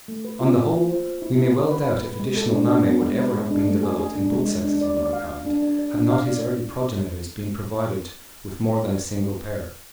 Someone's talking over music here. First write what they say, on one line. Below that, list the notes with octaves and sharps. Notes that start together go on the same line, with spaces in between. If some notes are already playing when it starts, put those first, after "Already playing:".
On the whole, we may well doubt if additional mammae would ever have been developed in both sexes of mankind, had not his early progenitors been provided with more than a single pair.
A3
B4
F4
E5
F4
C5
C5
E4
E4
B4
B4
E5
B4
G#3
A4
D4
D4
B3
G#3
B4
G#3
D4
A3
G#4
G#4
D4
G#3
G#3
D4
D5
D5
F5
F5
D4
D4
D5
D4
F5
D5